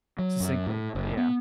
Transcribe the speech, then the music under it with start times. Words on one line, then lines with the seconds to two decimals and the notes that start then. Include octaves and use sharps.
succinctly, but yeah.
0.19 F#3
0.40 F#2
0.67 A2
0.95 F#1
1.17 B3